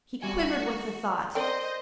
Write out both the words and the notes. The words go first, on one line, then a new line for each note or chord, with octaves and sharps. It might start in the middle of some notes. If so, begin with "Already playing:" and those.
He quivered with the thought.
G3 F#4 G#5
C4 A#4 C5 D5 D#5